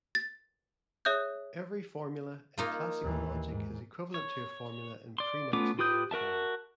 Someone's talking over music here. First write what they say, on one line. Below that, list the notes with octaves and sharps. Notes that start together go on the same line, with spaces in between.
Every formula in classical logic is equivalent to a formula in prenex normal form.
A6
G#4 C#5 E5 D#6 F#6 G6
A#3 D#4 F4
D#2 E3
G#2
C#5
D5 C6
A3 B3 C#4 F4 D6
F4 G4 B4 D#6 G6
F#4 A#4 E5 A5